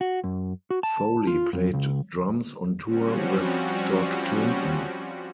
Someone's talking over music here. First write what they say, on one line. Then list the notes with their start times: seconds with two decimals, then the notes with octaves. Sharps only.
Foley played drums on tour with George Clinton.
0.01 F#4
0.24 F#2
0.70 F#4
0.83 A5
1.27 F4
1.53 F2
1.74 C#2
2.83 F3 G3 C4 C#4 F#4